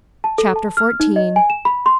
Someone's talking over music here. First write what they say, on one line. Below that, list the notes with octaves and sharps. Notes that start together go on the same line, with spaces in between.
Chapter XIV.
A5
A4
A5
F6
D#4
D#5
G#5
E7
B5
C6